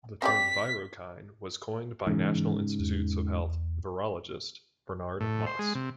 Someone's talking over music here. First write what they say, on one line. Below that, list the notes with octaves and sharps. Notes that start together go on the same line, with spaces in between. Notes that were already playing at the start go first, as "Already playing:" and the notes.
The term "virokine" was coined by National Institutes of Health virologist Bernard Moss.
C4 G4 D5 B6
G#2 C#3 E3
E2
A2
C5
G#3
C3